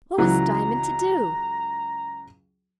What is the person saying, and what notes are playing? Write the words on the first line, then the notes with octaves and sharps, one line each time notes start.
What was Diamond to do?
C#2 E3 F#3 A#5